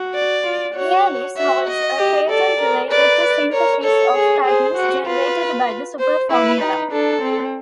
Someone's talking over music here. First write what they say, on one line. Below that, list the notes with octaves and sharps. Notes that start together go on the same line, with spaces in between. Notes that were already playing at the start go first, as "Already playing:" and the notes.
Gielis holds a patent related to the synthesis of patterns generated by the superformula.
Already playing: F#4
D5
F4
F#4 C#5
F#4 E5
D#5
G4
A4 D5
A#4
B4 D5
B4
A#4 C#5
A4 C#5
G#4
G#4 C5
F#4
F4 B4
C5
E4 B4
D#4
D4 A4
C4